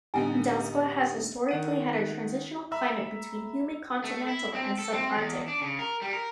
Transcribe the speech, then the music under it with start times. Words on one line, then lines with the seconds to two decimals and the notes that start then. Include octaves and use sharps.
Delsbo has historically had a transitional climate between humid continental and subarctic.
0.14 A1 D3 G3 B3 D#4 G#5
1.49 D#3 F#5 D#7
2.72 E5 A#5 B5 E6
4.04 A3
4.28 E4
4.54 C4
4.79 A4
4.92 C4
5.17 E2
5.48 D4
5.61 C#3
5.79 A#4
6.02 G3
6.13 A#4